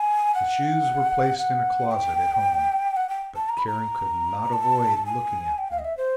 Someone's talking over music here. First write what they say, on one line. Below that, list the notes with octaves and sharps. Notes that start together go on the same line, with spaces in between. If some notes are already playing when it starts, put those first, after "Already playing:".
The shoes were placed in a closet at home, but Karen could not avoid looking at them.
Already playing: G#5
F#5
F#5
G5
F#5
G5
A5
A#5
B5
A#5
A5
G#5
G5
F5
D#5
E5
C5